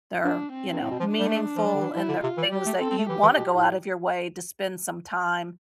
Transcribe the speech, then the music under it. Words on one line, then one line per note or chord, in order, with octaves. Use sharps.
They're, you know, meaningful, and they're things that you wanna go out of your way to spend some time,
G2 D4
C4
G2
A2
B2
F3
D4
G3
A3
F3
G3
D3
E3
F3 E4
D3
C3 F4
E3
G3 G4
A3
C4 A4
C4
A3
E3 G4
E3
B2
A2